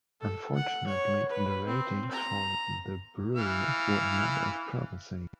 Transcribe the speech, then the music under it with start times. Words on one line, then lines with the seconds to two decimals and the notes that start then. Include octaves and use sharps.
Unfortunately, the ratings for "The Brew" were not as promising.
0.20 A4
0.54 F#5
0.87 C#5
1.28 B4
1.67 C4
2.11 A#5
3.35 E3 F5